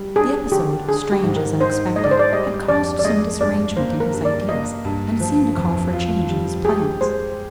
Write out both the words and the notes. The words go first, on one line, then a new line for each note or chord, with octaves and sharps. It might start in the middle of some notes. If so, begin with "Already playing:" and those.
The episode--strange as unexpected--had caused some disarrangement in his ideas, and seemed to call for a change in his plans.
Already playing: G3
D4 G#4
D3 G4
D4 G#4
G4
G#2
A#4
D#4 C5
G#3 D#5
D5
C5
D5
G3 D#5
F2 D5
D5
G#3 D#5
G2 D5
A#3 C5
A#4
G2
D5
A#3 D#5
G2
F3
F2
F4
G3
G4 G#4
G#3 C5